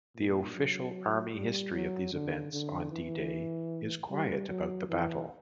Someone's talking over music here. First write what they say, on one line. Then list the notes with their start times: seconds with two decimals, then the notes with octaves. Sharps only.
The official Army history of these events on D-Day is quiet about the battle.
0.16 A#2
0.55 F#3
1.34 G3
1.73 F#3
2.13 D3
2.52 D3
2.92 E3
4.10 G3
4.50 F#3
4.89 E3